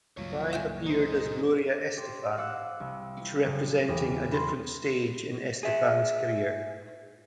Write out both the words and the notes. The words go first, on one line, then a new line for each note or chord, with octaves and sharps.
Five appeared as Gloria Estefan, each representing a different stage in Estefan's career.
C#2 G2 A#2 F#3 F4 C#5
E5 G5 G#5
D#4 C5
G4 C5
F5 F#5 D6 E6 F#6
C2
F#1 C#3
E2 G4 A#6
B5 C6
G#4 E5